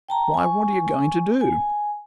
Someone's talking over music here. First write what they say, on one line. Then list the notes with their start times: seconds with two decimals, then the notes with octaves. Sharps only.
"Why, what are you going to do?"
0.08 G5 A5 A#5
0.34 G#5 C#6
1.41 G#5